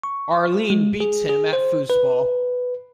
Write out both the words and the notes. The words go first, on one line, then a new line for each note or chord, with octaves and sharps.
Arlene beats him at foosball.
C#6
G#3
G#4
G#4
C5
B4